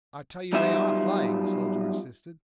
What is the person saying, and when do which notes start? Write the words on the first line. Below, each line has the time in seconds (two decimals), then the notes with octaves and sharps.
"I tell you they ARE flying," the soldier insisted.
0.53 F#3 G3 B3 D#4 F4 E5